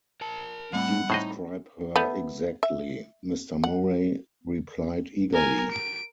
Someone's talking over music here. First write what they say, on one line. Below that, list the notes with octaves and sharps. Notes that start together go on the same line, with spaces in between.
"You describe her exactly," Mr. Murray replied eagerly.
A#4 A5
A2 G3 A3 C4 F#5 B5
A2 D#4 C5 D#5
A3 B3
E5
F#5
A#4 G#5
D7